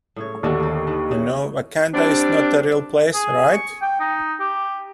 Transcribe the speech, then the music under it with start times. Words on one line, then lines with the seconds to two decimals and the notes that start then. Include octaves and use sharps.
You know Wakanda is not a real place, right?
0.16 A2 C#3 C#5
0.43 D#2 A2 D3 F#4
0.60 A#3 G4
0.87 D#3 B4
1.11 C#3 E3
1.94 G3 C4 D4
3.14 G#4
3.53 C#6
3.82 G5
4.00 D#4
4.40 G4